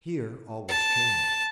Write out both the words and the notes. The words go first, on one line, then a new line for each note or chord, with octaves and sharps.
Here all was changed.
A5